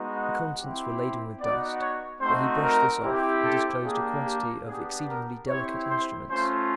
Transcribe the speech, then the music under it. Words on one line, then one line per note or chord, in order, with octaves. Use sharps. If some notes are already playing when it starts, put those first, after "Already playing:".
The contents were laden with dust, but he brushed this off and disclosed a quantity of exceedingly delicate instruments.
Already playing: G#3 B3 D#4 F#4
F#5
C4 E4 G4
B3 D#4 F#4 D5
C#5
A3 C4 D#4 F#4 C5
A#4
C4 E4 G4
A4
A#3 D4 G4 G#4
G4
B3 D4 G4 G#4
A#4
C4 E4 G4 C#5
C5
A3 C#4 F4 C5